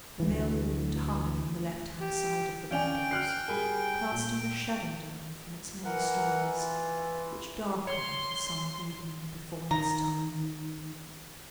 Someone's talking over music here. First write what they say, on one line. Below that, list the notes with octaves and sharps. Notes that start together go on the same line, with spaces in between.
The mill loomed high on the left-hand side of the windows, casting a shadow down from its many stories, which darkened the summer evening before its time.
D2 E3
G4
C#4 D5 F5 G5 G#5 F7
F#4 F6 F#6 C7
G3 G#4 A#4 G#5 B5
A#2
E3 A#4 F#5
F4
C#5 C6
D#3 A#5